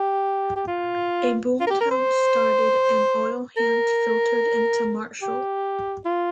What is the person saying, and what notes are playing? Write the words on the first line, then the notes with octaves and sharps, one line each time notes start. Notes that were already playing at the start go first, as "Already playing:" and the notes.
A boom town started and oil hands filtered into Marshall.
Already playing: G4
G4
F4
F4
A#4
G4
A#4
C5
A#4
G4
F4